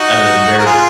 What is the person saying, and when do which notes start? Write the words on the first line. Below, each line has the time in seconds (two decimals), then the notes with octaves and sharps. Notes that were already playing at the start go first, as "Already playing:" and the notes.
I mean, they're
Already playing: D#4 F#4
0.58 A#4
0.66 F4 G#4